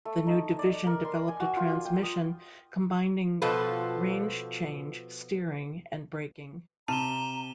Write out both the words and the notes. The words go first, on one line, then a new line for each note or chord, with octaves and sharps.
The new division developed a transmission combining range change, steering and braking.
A3
D#4
D5
A#4
C6
G#5
F#4
F4
G5
D#6
B2 F3 F4 A4 B4
C3 A5 A#5 D#7 E7 G7